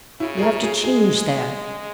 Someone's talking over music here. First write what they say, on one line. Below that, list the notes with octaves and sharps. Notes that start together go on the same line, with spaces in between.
You have to change there.
C#3 E4
G#4
A#4
G#4
G#3 G#4